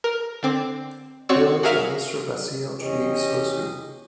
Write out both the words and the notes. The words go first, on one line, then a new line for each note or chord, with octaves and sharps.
Village of Mr. Basile G. Sossou.
A#4
D3 C4 D6
C4 F#4 C#5 D5 E6
F#4 G#4 A#4 E5 F5
E2 C#4 G4 D#5